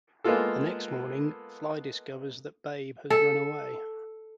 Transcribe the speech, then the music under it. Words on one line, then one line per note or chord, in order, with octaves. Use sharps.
The next morning, Fly discovers that Babe has run away.
G#3 A#3 B3 F4 A4
A4